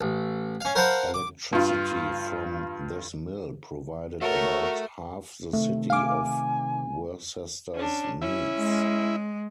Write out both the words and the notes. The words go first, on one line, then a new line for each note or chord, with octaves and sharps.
Electricity from this mill provided about half the city of Worcester's needs.
A1
C#4 F5
A#4 C5 F5 F#5 A5 B5
D6
G2 F4
A3 F#4 A4 A#4 C#5 E5
C3 D#3 A3
F5 G#5 D6
C#4 D4
C#4 E4
G#3